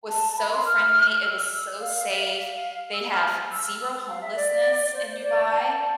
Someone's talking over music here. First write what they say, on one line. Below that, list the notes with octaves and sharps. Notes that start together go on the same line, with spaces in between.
was so friendly, it was so safe. They have zero homelessness in Dubai,
A5
A5
B5
C6
F6
E6
F5
E5
F5
E6
F6
E6
F5
E5
D5
D5
C5
D5
A5
G5
A5